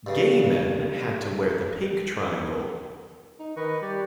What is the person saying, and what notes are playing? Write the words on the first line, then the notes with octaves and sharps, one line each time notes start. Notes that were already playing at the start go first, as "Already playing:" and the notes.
Gay men had to wear the Pink Triangle.
G2 C#3
D#4
D#3 B4 D#5 C#6
G3 G4 D5